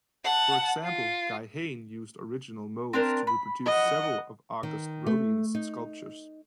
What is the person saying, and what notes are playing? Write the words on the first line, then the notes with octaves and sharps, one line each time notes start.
For example, Guy Hain used original molds to reproduce several of Auguste Rodin's sculptures.
F#5 A5
F4
C4 D4 A#4
B5
D#5 F#5
D#3
A3
D#4